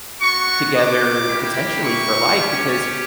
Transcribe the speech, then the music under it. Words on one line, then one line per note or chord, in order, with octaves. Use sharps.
together potentially for life because
B3 F#4 C#6
D6
A#3 E4 G4
C#6
C#4 G4